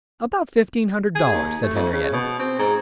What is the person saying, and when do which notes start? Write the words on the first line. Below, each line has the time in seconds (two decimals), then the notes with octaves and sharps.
"About fifteen hundred dollars," said Henriette.
1.15 G#4
1.33 D#2
1.63 A3
1.75 F2
1.92 C#3
2.13 B2
2.39 C4
2.59 G#2